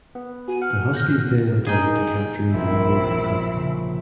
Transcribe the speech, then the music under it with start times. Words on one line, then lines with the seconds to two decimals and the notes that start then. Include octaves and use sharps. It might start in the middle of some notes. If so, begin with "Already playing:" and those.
The Huskies then went on to capture the Memorial Cup.
0.15 B3
0.48 F#4 G#5
0.62 F#5 F6
0.94 F#6 G6 A#6
1.67 D#4 G#4 G5
2.54 A#1 C4 E4
3.55 C#3